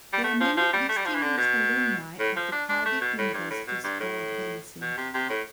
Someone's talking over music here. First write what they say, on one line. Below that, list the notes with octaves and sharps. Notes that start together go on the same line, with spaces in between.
There are many distinguished alumni of the Cardiff University School of Medicine.
G3
A3
F3
F3
G3
A3
G3
F3
E3
D3
B2
A2
F3
D4
D4
A3
B2
A2
G2
A2
B2
G2
A2
B2
C3
C3
A2